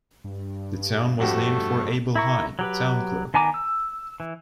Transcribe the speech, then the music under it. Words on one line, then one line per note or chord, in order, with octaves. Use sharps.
The town was named for Abel Hine, town clerk.
G2
F2 A3 F#4 G4
E4 A#4 C#6
F#3 G4 B4
D#3 B3 G#5 A#5 D6
E6
E3